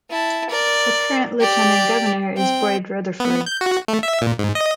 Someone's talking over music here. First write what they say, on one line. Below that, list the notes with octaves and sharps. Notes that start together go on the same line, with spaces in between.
The current Lieutenant Governor is Boyd Rutherford.
E4 A5
A#4 D5
G4 D5
C4 G5
B3
G6
F#4
A3
E5
A#2
G#2
D#5